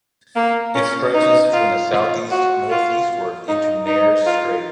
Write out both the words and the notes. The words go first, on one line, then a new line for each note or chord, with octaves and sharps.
It stretches from the southwest northeastward into Nares Strait.
A#3
C#4
D#4
F4
F4
F#4
F4
D#4
D#4
F4